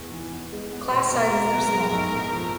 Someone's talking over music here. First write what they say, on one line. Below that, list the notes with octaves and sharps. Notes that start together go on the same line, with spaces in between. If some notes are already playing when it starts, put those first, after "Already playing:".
Class sizes are small.
Already playing: E2 C3 E3
E3
B3
G#3
B3
B2
B2 A#4
G#3
B3
G#3
B1
A2
F3